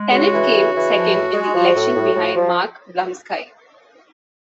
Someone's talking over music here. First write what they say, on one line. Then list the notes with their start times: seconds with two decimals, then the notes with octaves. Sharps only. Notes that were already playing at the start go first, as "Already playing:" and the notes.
Tennet came second in the election behind Mark Blumsky.
Already playing: G#3
0.11 C#3 F#4
0.32 E3
0.52 C#3
0.72 E3
0.93 F3
1.14 A2
1.33 G#3
1.55 F3
1.74 A2
1.96 A2
2.15 A2
2.35 F3